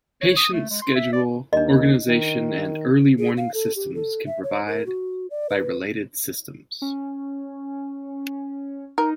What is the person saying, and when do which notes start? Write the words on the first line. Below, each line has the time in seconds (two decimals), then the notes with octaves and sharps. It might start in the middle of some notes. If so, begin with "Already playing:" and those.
Patient schedule organization and early warning systems can provide by related systems.
0.22 C#5
0.36 D#6
0.53 A3
0.70 G#3
0.82 C6
0.95 E5
1.13 D5
1.53 D#2 D4 D#5
2.07 D#3
3.18 G#4
3.37 F5
3.54 A4
3.76 G4
3.95 A4
4.26 E5
4.43 C#5
4.67 A#4
4.87 F#4
5.30 D5
5.50 B4
6.82 C#4
8.98 D#4 A#4